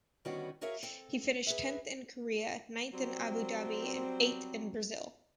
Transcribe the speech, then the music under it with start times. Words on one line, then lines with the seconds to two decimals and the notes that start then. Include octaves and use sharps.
He finished tenth in Korea, ninth in Abu Dhabi and eighth in Brazil.
0.25 D3 D#3 G3 B3 C#4 F#4
0.61 F#4 G#4 A#4 C#5 E5 F5
0.83 C4 A4
1.47 G#4 B4 E5
2.93 F#3 G3 C4